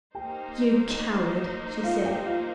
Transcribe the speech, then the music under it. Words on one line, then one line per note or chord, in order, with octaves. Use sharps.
"You coward!" she said.
A#3 D#4 G4 C5 G5
F4 F5
G4 G5
F4 F5